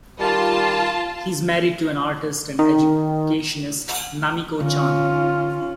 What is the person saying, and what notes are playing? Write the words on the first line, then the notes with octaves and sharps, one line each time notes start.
He is married to an artist and educationist, Namiko Chan.
D#3 G3 F4 A#4 A5
D#3
D3 C#4 F4